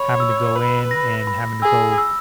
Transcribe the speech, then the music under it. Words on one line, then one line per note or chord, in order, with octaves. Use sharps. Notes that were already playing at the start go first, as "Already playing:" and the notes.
having to go in and having to go,
Already playing: C#5 B5
E6
B4 B5
A#6
B5
G#4 E6
E6